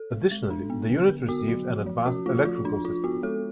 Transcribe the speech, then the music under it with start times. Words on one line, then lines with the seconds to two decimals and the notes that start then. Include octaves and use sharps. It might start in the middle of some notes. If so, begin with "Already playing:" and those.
Additionally, the unit received an advanced electrical system.
Already playing: A4
0.11 G#3
0.31 G#3
0.50 D4
0.70 B3
0.89 D3
1.09 D3
1.28 B3 F#4
1.48 F#3
1.68 F3
1.86 F3
2.06 C#4 F#4
2.26 A3 F4
2.45 F3 F4
2.64 F3 D4
2.85 D4 F4
3.04 B3 F#4
3.23 G#3 A4